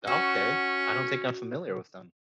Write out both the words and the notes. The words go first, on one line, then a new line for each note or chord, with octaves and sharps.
Okay. I don't think I'm familiar with them.
C#4 F#4